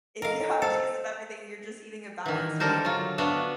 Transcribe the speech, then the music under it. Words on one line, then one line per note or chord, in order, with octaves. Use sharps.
If you have cheese with everything, you're just eating a balanced meal.
A4 A#4 D#5 F5
A4 C5 F5
D#3 E3
D3 G3 A4 A#4 C5
F#3 F4
B3 D4 F#4 E5 F5